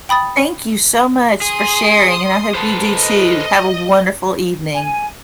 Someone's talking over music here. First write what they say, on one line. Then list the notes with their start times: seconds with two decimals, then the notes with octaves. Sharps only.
Thank you so much for sharing, and I hope you do, too. Have a wonderful evening.
0.09 G5 B5 D#6 A6
1.41 G#4 C6 D#6
2.55 A4 B4 C5
2.96 D#5
4.73 G#5